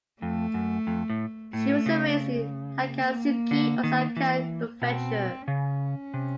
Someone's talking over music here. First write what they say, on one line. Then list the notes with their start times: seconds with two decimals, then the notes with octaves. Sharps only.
She was raised in Takatsuki, Osaka Prefecture.
0.21 F2 A3
0.54 F#2
0.87 F2
1.10 A2
1.53 A2 A3
1.86 C#3
2.85 A#3
3.51 D3
3.83 D#3
4.17 E3
4.82 B2 C4
5.48 C#3 C#4
6.14 C3